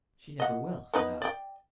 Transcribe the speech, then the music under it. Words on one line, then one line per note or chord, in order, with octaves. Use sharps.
"She never will," said I.
D#5 F#5
B3 D#4 B4
D5 G5